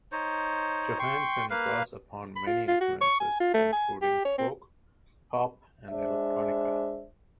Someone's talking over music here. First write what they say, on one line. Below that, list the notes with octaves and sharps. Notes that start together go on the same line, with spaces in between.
Johansen draws upon many influences, including folk, pop, and electronica.
D#4 C5 C#5
G5 C6 C#6
A#3 B4 F5
B5
F4
F4
F#4
C#6
G#5
F4
A3
G#5
G4
C#5
C4
G#3 D4 C5 E5